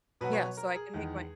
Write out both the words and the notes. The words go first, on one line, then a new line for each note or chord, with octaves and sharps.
Yeah, so I can make my
B2 F#3 B3 B4
C#5
A#4
G#4
E2 D#3 G#3